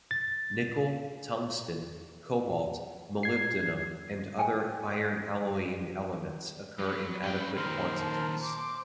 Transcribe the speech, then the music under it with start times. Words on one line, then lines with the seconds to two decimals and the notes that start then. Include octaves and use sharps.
Nickel, tungsten, cobalt, molybdenum and other iron alloying elements occur in adequate quantities.
0.11 A6
3.23 G#6 C7
4.39 G5 G#5
6.79 F#3 B5
7.23 C#4 G5
7.56 A#2 D#3 A#4 C5
7.98 A5
8.40 C5 D6